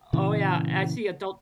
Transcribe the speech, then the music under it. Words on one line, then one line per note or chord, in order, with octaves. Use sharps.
o oh, yeah. I see adult
A#2 C#3 E3